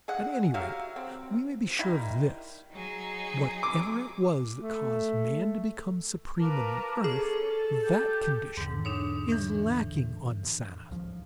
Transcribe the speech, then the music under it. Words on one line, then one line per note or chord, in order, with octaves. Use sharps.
"At any rate, we may be sure of this: whatever it was that caused man to become supreme on the earth, that condition is lacking on Sanus!"
G#4 D#5 F#5
F#3 G4 E5 F5
C4
D#3 G3 E4 C6
F#3 D#4 G#4
D6
A3
F4 A#4 B4 A5 D6
C#4 G#4 A4
G4 G6
E2 G#2 D3
D4 D#4 C#5
A2 E3
C#2 F3